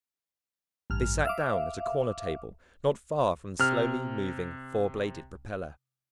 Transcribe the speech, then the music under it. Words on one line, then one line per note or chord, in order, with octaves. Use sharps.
They sat down at a corner table not far from the slowly moving four-bladed propeller.
A1 G2 F6
E5 F5 D6
C3 F6